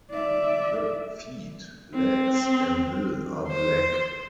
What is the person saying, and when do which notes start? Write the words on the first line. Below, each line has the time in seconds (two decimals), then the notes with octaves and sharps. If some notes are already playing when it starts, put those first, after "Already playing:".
The feet, legs and bill are black.
0.10 D5 E5
1.94 C4
3.48 C5